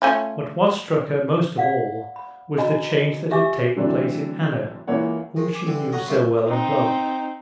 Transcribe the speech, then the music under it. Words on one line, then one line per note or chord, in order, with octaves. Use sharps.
But what struck her most of all was the change that had taken place in Anna, whom she knew so well and loved.
A3 C#4 F4
D5 F5 F#5
B5
F#4 D#5 G#5 A#5 B5
F4 G4 E5 G#5 D6 E6
D3 E3 F#3 A3 C4 D4
C#2 E3 A#3 F4 C#5 F#5
D#3 G#3
G#5 D6
D3 E3 G3
C#5 D#5 F#5 A#5
A1 G3 C#4 E4 F4 B5
C4 D#4